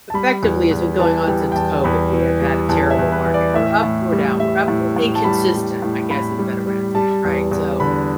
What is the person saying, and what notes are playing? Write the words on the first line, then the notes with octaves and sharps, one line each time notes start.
effectively, it's been going on since COVID, we have had a terrible market, we're up, we're down, we're up, we're inconsistent, I guess, is a better way to say it, right? So,
A5
G3 B5
E2
E2
E3 A5
G3 G5
G5
E2 A5
E2 B5
E3
G3
E2 A5
E5
E2
B4
E3
D5
A2 E5
A2
G3
G3 E5
A2
A2
A5
G3 B5
G3
A2
A2 B5
G3
G3
G3 A5
E2
E2
D3 B5